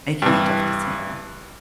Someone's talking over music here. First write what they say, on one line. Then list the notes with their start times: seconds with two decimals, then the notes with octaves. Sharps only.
making a tough decision?
0.22 G2 E3